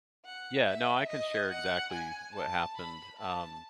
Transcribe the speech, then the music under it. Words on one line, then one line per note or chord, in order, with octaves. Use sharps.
Yeah, no, I can share exactly what happened. Um,
F#5
E5
D#5
F#5
G#5
A5
B5
A5